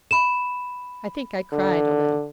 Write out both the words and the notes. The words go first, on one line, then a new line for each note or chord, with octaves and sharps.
I think I cried a little.
B5 E7
D3